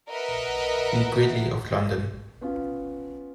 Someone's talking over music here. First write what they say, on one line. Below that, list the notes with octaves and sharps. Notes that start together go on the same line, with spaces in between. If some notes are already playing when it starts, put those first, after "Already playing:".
B. Gridley of London.
A#4 B4 D#5 E5 F#5
B3 C#4 F4